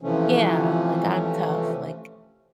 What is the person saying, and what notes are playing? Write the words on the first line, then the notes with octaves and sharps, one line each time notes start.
yeah, like, "I'm tough," Like,
C3 E3 F3 A3 C#4